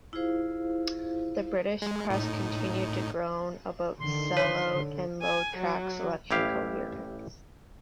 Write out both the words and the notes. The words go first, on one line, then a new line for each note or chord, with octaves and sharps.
The British press continued to groan about sell-out and low track selection coherence.
E4 F4 G#4 C5 F5
G#3
A2 D#4
D3 D#3 C6
B4 C#5
D3
G#5
F#3
A1 E4 G4 F5